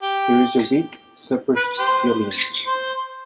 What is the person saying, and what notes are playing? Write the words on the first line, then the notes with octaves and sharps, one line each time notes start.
There is a weak supercilium.
G4
B4
G4 C5
C5